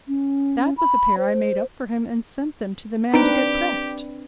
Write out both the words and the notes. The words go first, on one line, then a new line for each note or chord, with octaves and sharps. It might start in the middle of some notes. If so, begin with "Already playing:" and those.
"That was a pair I made up for him and sent them to the man to get pressed."
C#4
B5
C5
C4 D4 D#4 G4 B4 D7